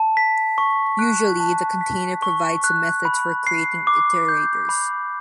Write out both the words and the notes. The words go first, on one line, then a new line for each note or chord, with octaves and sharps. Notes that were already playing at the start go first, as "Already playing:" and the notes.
Usually, the container provides the methods for creating iterators.
Already playing: A5
B6
C#6
F#6
A5
B6
C#6
F#6
B5
C7
D6
G6
B5